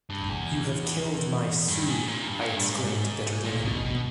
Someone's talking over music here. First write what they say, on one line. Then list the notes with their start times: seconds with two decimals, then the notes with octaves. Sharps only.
'You have killed my Sue,' I exclaimed bitterly.
0.10 G2
0.30 E2
1.68 G2
1.88 G#2
2.08 A#2
2.27 G2
2.41 A#2
2.56 G2
2.70 G#2
2.85 G#2
3.45 A#2
3.65 B2
3.85 B2